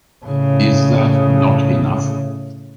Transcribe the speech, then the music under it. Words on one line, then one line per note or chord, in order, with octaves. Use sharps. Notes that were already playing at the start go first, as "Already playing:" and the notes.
Is that not enough?
A2 C#3